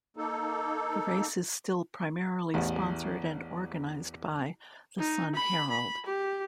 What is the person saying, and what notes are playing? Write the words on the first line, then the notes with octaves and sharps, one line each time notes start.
The race is still primarily sponsored and organised by "The Sun-Herald".
A#3 D#4 A4
A1 E2
D#4
B5
B5
G4